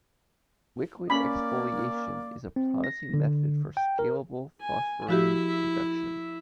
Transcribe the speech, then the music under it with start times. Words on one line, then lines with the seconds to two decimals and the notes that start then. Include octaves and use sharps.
Liquid exfoliation is a promising method for scalable phosphorene production.
1.10 A#3 C#4 D5 B5
2.56 C4
2.84 A#6
3.14 D3
3.77 G5
3.99 A#4
4.60 G#5
5.09 F3 E4 F#4 G4 E5